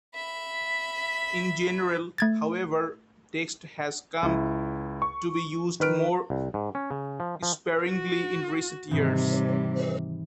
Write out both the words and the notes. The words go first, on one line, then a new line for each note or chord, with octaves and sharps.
In general however, text has come to be used more sparingly in recent years.
E5 B5
A3 G#6 A6
C#2 E4
C#6
D#3 B4 F6 D7
C2
G#2
C#4
C#3
F3
F3
F#4
G#2 C3 D#3 E3 G3